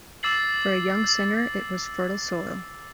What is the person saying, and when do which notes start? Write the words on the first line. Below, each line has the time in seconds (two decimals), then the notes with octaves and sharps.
For a young singer, it was fertile soil.
0.23 D6 E6 A6 C7 F#7